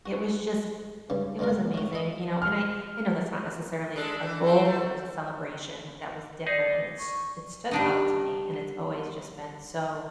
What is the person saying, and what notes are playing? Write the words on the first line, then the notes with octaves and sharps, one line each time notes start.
It was just it it was amazing, you know, and I I know that's not necessarily a g a goal, but it was a celebration that was different, and it's it stood out to me, and it's always just been so
F#4
G2 C#3
B2 D3 G#3 F4 A#4
A2 F#4
A4 D#5
F6
G#3 D4 A4
E3
A3 C4
A3
D#4 G#4 D5
C#6
G3 D4 D#4